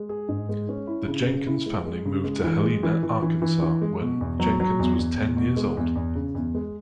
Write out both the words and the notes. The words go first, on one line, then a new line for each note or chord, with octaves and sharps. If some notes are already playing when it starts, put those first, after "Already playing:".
The Jenkins family moved to Helena, Arkansas, when Jenkins was ten years old.
Already playing: G#3
G#4
G#2
G#3
C#4
E4
C#3
C#3
E4
G#3
G#3
C#3
G#3
E3
G#3
E3
E3
E3
E3
E3
G#3
B2
E2
F#3
F#3
E2
E2
E2
B2
G#3
E2
E2
C#3
E2
G#3